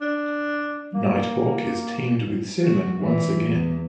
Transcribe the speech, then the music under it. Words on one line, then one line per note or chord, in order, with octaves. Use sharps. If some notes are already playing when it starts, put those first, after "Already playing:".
Nighthawk is teamed with Cinnamon once again.
D4
A#3
F#4
E3
E2